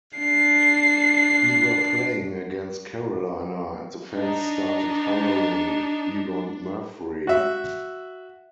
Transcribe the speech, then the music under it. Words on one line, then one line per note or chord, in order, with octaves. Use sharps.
We were playing against Carolina, and the fans started hollering, 'We want Murphrey.
D4 C7
D4 D#4
F#4 E5